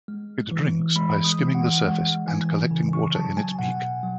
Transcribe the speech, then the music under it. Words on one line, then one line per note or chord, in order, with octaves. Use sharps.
It drinks by skimming the surface and collecting water in its beak.
G#3
E3
G#3 B5
D#6
E3
F#5
G#3 F#5
E3 G#5
C#3
C#6
F#3 A5
G#5
B2 F#5
F#3